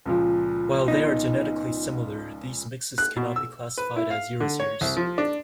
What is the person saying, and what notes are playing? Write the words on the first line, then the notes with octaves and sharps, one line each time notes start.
While they are genetically similar, these mixes cannot be classified as Eurasiers.
C#2 A#2 F3
B3 D#4
F#6
B2
E6
B4
E4
F5
D3
C#5
C2
F3
D4